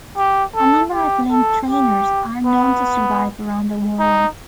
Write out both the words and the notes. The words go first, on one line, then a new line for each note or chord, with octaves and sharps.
A number of Link Trainers are known to survive around the world.
G4
A4
G4
A4
G4
B3
D#4